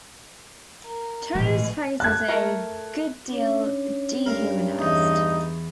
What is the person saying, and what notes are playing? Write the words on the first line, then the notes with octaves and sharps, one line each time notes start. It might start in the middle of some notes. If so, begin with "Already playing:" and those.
Turner's face was a good deal dehumanized.
A#4
A1 B2 E3 G#3
A5 F#6 G#6
A3 A#4
C#4 D4 C#5
G2 A#4 F5
E2 D#4